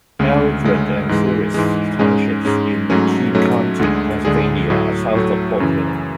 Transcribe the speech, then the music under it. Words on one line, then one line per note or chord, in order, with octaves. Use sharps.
Eldred and Ceres townships in McKean County, Pennsylvania, are south of Portville.
D2 C#3 G#3 C#4
D2 C#3 G#3 C#4
G#2 E3 G#3
G#2 E3 G#3
G#2 G#3 C#4
G#2 G#3 C#4
G#2 F#3 A3 C#4
G#2 F#3 A3 C#4
D2 D3 G#3 D4 G#4
D2 D3 G#3 D4 G#4
A2 F#3 A3
A2 F#3 A3
F#2 C#3 E3